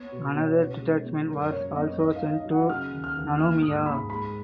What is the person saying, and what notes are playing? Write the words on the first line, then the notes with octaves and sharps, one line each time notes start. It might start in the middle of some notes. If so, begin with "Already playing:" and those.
Another detachment was also sent to Nanumea.
Already playing: B3 C#5
B2
B2
C#3
G#3
B3
F#2 A#4
F#2 C#5
B3 D#5
D#4 D#5
F5
D#4
D#5
F#3
F#5
C#3 F6
D#2
F6
D#2
A#3 F6
G#2 D#6
G#2 B5
G#3 B5